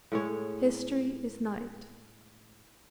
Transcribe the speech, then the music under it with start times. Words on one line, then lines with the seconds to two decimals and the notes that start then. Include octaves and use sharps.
History is night.
0.12 A2 G#3 C#5